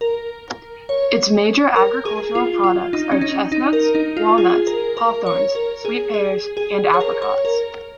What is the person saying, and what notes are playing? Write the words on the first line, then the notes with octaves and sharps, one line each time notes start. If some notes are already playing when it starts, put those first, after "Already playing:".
Its major agricultural products are chestnuts, walnuts, hawthorns, sweet pears, and apricots.
A#4
C#5
A#4
G#4
F4
F4
D#4
C#4
D#4
D#4
A#4
D#4
F4
G#4
A#4
A#4
C#5
A#4
G#4
G#4
G#4
C#5
A#4
C#5
A#4